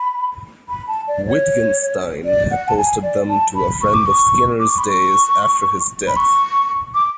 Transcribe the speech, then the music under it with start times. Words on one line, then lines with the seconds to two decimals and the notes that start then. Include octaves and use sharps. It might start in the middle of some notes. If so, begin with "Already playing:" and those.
Wittgenstein had posted them to a friend of Skinner's days after his death.
Already playing: B5
0.69 B5
0.87 A5
1.08 D5
1.27 C#5
2.25 D5
2.51 F#5
2.68 A5
2.77 G#5
3.03 D5
3.29 A5
3.55 B5
3.82 C#6
3.94 D6
4.06 C#6
4.60 D6
4.70 C#6
4.78 B5
4.88 C#6
6.08 B5
6.16 C#6
6.95 D6